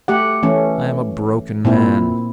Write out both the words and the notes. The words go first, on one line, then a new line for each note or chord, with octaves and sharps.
I am a broken man.
A3 G4 F#5
E3 A3 C#4
A#2 C4 E4